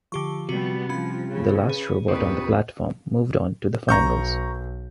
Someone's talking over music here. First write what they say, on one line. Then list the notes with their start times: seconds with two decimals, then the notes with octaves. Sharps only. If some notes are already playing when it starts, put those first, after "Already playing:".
The last robot on the platform moved on to the finals.
0.12 D3 F3 G4 C#6
0.49 C3 G3 B3 F#4
0.89 F3 G3 C#4 F4 B5
1.30 C#3
1.69 G#4 B4
2.08 D#2 A#2 C4 D4 G4 B4 C#6 D#6
3.89 B1 A#5 C#6 G6